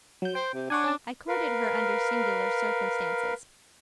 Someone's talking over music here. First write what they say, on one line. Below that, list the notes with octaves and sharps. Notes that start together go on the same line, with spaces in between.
I courted her under singular circumstances.
F#3 G6
C5 G5
C3
D4 C#5 F#5 G#5
C#4 A5
A#4 B4 F5